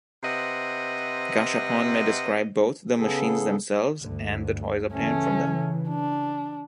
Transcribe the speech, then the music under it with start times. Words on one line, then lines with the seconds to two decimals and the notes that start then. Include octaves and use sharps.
Gashapon may describe both the machines themselves and the toys obtained from them.
0.23 C3 B4 C5 D#5 E5 F#5
2.99 C#3 B3 G#4 A4
4.00 D2 G2 D3
4.93 C#3 E3 A3 C#4
5.89 D4